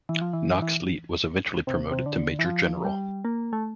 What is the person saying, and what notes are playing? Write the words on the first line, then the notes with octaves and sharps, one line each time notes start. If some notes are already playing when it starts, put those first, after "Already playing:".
Knox-Leet was eventually promoted to Major General.
E3
F3
E3
E3
C3
C3
D3
E3
F3
G3
A#3
A3